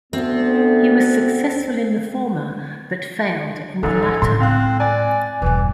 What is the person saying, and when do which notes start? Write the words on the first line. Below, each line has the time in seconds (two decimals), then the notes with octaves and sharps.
He was successful in the former but failed in the latter.
0.13 D2 B3 C4
3.83 A1 G#2 D#3 F3 A4
4.22 A2 G#3 C6
4.41 C4 F5 F#6
4.80 D5 G#5 A6
5.42 E1 G2 E3